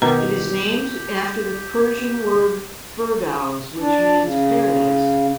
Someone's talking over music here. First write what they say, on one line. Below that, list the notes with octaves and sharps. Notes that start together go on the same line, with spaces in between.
It is named after the Persian word "Firdows", which means "paradise".
B2 D#3 G4 A#5
D4
C#3